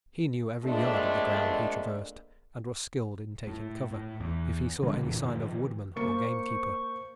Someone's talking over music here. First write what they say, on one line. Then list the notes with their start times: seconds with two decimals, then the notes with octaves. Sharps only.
He knew every yard of the ground he traversed, and was skilled in taking cover if he saw any sign of woodman or gamekeeper.
0.65 F2 A#2 G#3 A3 D4
3.47 A2
3.91 A2
4.20 E2
4.83 D3 F3 G#3 D4
5.03 F#2 A#2 D3 E3
5.32 D#3 F3
5.96 A#3 C5 C#6 C#7